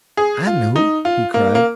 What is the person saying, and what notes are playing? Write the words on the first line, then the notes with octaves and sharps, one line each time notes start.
"I know," he cried.
G#4
F4
D#4
F4
A#3
A#3